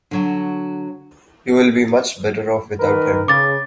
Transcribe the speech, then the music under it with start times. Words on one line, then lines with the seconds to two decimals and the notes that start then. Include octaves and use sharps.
You will be much better off without him.
0.11 D3 F#3 F#4
2.80 D#3 A#4 B4
3.28 C#3 D6 A6